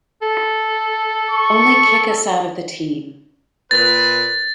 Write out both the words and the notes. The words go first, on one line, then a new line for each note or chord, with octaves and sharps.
Only kick us out of the team.
A4
C#6
A#2 B4 A6